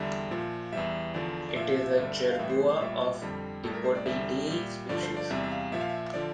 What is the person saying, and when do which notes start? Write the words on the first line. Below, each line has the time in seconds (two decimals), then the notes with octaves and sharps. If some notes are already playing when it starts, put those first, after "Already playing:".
It is a jerboa of the Dipodidae species.
Already playing: E2 D3 G3 E5
0.31 A#2 F3
0.73 E2 E3 G3 E5
1.14 E2 D3 F3 D5
1.49 D5
1.56 A#2 F3 E5
1.77 E5
1.98 G2 D3 G3 E5
2.30 F5
2.39 A2 E3 G3 E5
2.50 C5
2.71 C5
2.81 A#2 G3 E5
3.22 F2 D3 G3
3.64 A2 G3 A4
3.74 A#4
3.84 C5
3.95 D5
4.06 E2 D3 G3 E5
4.47 A#2 G3
4.89 G2 D3 F3 D5
5.03 C5
5.17 D5
5.30 E2 C3 G3 E5
5.43 E5
5.52 F5
5.72 A#2 F3 E5
5.81 F5
5.89 E5
6.13 D3 F3 D5